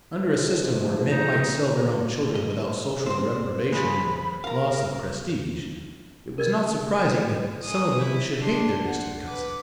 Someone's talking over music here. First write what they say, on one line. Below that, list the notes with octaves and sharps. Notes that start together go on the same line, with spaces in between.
Under a system where men might sell their own children without social reprobation or loss of prestige, it was not surprising that some of them should hate their distant cousins.
G#2 F3
A3
D#4 A#5
D#5
C4 C5
F3 G#3 B5
A#4 F5 A#5
A#4 D5 D#5
G#3 D#6
E4
D4 C6
F#5
B4 D6